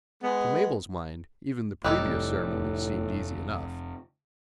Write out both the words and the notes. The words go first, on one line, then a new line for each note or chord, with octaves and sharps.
To Mabel's mind even the previous ceremonies seemed easy enough.
G#3 B3
F1 A2 G3 D#4 A4 D6 E6 F#6